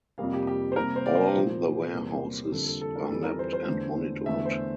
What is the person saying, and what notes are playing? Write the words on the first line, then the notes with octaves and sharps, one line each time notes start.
All the warehouses were mapped and monitored.
F2 C3 G3 A#3 F5
G4
G4
C5
C3 G3 A#3 A#4
C5
D5
C5
A#2 F3 A#3
E2 C3 G3 A#3
F2 D3 G3 A#3 A4
A4
A4
A#4
F2 E3 G3 A4
A#4
C5
C5
E2 D3 A3
E2 D3 A3 E5
C5